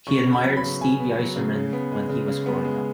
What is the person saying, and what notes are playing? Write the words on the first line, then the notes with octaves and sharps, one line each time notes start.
He admired Steve Yzerman when he was growing up.
C#3 C#6
B3
B5
F#3
B5
C#3
C#3 G#5
B3
F#3
C#3
C#3
B3
G#3
C#3
C#3
B3
G#3